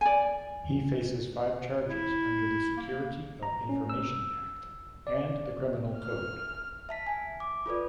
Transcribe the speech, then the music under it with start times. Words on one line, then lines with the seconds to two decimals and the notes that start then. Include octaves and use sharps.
He faces five charges under the Security of Information Act and the Criminal Code.
0.01 D5 G#5
1.89 E4
2.77 A#3
3.43 A#5
3.69 C#4
3.90 E6
5.07 D5
5.98 F6
6.89 E5 A5 B6
7.07 G#5
7.40 D6
7.66 F4 A4 B4 D5